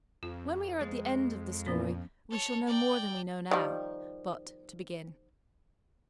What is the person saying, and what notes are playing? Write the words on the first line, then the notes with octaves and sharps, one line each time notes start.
When we are at the end of the story, we shall know more than we know now: but to begin.
F2 F4
G#3 C5
A#2 F3 B3 C#4
A4 C#5
D5 G5
D#3 F3 G3